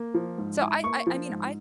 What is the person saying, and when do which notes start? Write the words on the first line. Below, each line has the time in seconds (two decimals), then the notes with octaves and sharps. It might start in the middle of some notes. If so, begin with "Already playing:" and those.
so I I I mean, I
Already playing: A#3
0.14 F3
0.38 G#2
0.60 E4
0.83 A#3 C#6
1.07 F3
1.29 G#2